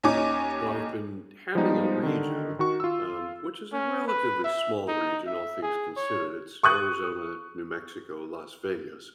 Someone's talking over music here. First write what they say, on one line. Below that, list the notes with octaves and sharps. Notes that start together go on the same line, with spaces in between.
So, I've been handling a region, um, which is a relatively small region, all things considered, it's Arizona, New Mexico, Las Vegas.
D#2 C#4 D#4 C#5 G#5 D6
F3 G3 G#3 B3 D#4
D3 D#3
D#3 F#4 C#6
F4 E6
C#4
B4
E5
D#4
E5
G#4
C#5
C#6 D#6 F#6